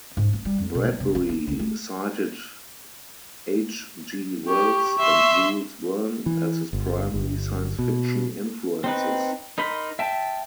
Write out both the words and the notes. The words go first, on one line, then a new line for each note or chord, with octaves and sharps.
Bradbury cited H. G. Wells and Jules Verne as his primary science fiction influences.
G#2
B3
G3
F2
B2
F#3
F1
F2
D4
D2
A3
G4 C#6
E5 C6
E3
G1
G1
B2
C4 D#4 B4
D#4 A#4 B5 C6
E5 G5 A5